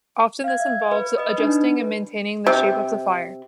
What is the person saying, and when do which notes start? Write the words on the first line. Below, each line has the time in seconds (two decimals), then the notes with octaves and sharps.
Often this involves adjusting and maintaining the shape of the fire.
0.44 F5 G#6
0.60 E5
0.91 B4
1.17 B4 D#5 D#6
1.36 D4 D#4 B4
2.46 C3